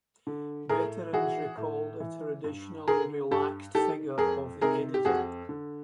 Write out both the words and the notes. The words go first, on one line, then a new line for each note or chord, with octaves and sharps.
Veterans recall the traditionally 'relaxed' figure of the Editor.
D3
A2 G#4 A#4
E3 F#4 G#4
A2
E3
G2
D3 G#4 A#4
G2 G4 A4
D#3 G4 A4
F2 G#4 A#4
C3 D#3 G#4 A#4
G4
F2 F#4 G#4
D3